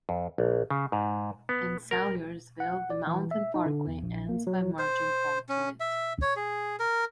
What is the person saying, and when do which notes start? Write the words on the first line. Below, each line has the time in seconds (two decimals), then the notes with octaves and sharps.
In Salyersville, the Mountain Parkway ends by merging onto it.
0.09 F2
0.38 A#1
0.70 C#3
0.92 G#2
1.49 B3
1.91 A#4
2.60 F#5
2.90 D5
3.07 E3
3.31 E5
3.54 D#4
3.66 D3
3.87 E2
4.03 A#1
4.29 A#3
4.47 F#3
4.79 C5
5.49 C#4
5.80 E5
6.22 C#5
6.36 G#4
6.80 A#4